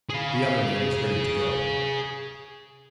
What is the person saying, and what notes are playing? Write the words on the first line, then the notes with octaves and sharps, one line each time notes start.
The other man was ready to go.
G#4 F5